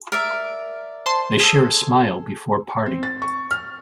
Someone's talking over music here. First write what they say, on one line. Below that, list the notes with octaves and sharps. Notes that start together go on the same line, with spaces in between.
They share a smile before parting.
A#4 D5 E5
C5 A5 C6
G#4 A4
C4
A6
C#6
F6